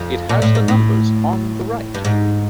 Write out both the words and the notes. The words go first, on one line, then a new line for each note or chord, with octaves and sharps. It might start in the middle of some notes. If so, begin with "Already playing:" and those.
It has the numbers on the right.
Already playing: F2
A#2
A2
G#2
A2
G2
G#2